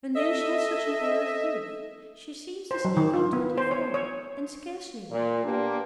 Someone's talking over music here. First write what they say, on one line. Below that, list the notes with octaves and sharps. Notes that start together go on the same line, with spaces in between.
And then she has such an air of youth; she seems this evening twenty-four, and scarcely that.
A4 D#5 E5
C5
F#3
D#3
F4
B3
C5
C#5
C#5
A#2
A#3 B3 D4 G4